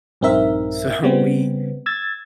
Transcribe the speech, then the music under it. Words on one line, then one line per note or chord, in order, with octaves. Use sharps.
So we
A#1 G2 C4 D#4 A#4 E5
C#3 G3 B3 C4
E6 G#6 A6